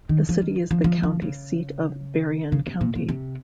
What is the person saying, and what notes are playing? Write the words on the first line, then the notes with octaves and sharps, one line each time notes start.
The city is the county seat of Berrien County.
D#3
F3
D#3
F3
F3
F3
C#3
C#3
C3
A#2
A#2
C3